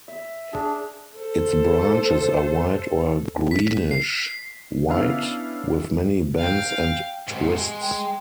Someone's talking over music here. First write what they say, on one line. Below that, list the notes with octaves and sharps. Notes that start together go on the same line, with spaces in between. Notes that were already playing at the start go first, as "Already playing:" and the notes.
Its branches are white or greenish-white, with many bends and twists.
E5
D4 G#4
A4 C5
B6
C7
B3 C#4 D4 E4 F5
F5 G5
G#2 C3
G#3
G5